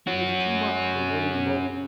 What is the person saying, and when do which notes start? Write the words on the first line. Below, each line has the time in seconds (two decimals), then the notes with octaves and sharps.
He was too much for William Roper.
0.07 C#4 F#4